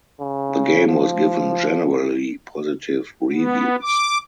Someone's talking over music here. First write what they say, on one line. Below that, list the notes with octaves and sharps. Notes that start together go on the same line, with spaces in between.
The game was given generally positive reviews.
C#3
F3
B3
D6